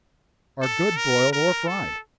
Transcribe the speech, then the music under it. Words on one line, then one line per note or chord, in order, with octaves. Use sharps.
Are good, broiled or fried.
A4
A#4
A#4
A4